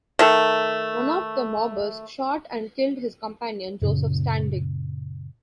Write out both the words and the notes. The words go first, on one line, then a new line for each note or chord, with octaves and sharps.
One of the mobbers shot and killed his companion, Joseph Standing.
D#3 A3 A4
F#2 A#2 C#3